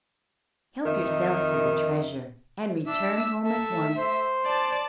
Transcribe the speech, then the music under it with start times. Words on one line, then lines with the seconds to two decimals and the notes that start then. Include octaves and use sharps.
Help yourself to the treasure, and return home at once.
0.85 F2 D#3 D#4 A#4 E5
2.87 D4 E5 E6
3.43 A3 A4 E5
3.97 C5
4.45 D5 A5